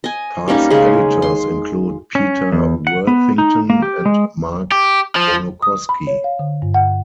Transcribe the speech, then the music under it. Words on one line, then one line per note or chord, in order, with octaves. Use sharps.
Past editors include Peter Worthington and Mark Bonokoski.
D#5 G#5
G3 A#3 C#4 D#4
C#3 G#3 G#4
C6
C#4
E2
F#5
B3
D#4
A#3
G4
G#3
G4
F3
D#6
B5
C#5
F5
D3
G2
F#5